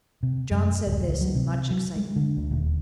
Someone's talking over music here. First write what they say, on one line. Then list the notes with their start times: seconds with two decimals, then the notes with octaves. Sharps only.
John said this in much excitement.
0.23 C3
0.51 F#2
0.87 D1
1.08 C#2
1.21 F#3
1.35 C3
1.70 F#3
1.96 G#3
2.16 D3
2.37 D2
2.51 D#1